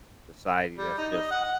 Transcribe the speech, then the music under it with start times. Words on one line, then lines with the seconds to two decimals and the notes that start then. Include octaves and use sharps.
society that's just
0.78 G3
0.98 D#4
1.13 D#5
1.31 F#5
1.44 F#5